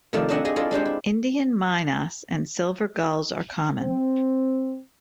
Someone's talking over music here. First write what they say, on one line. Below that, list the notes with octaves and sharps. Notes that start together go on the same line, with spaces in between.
Indian mynas and silver gulls are common.
C3 D#3 F3 A3 D5
C4 D4 D#5 E5 F#5 G#5
G4 G#4 D#5 G#5
E4 F4 G#4 A4 D5 D#5
G#3 D4 G4 C5
E4
C4